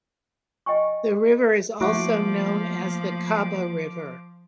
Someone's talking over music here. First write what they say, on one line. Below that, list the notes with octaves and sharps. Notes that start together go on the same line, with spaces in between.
The river is also known as the Kaba River.
D#5 G5 G#5 C#6
F3 A3 A#3 E4 F#4 D6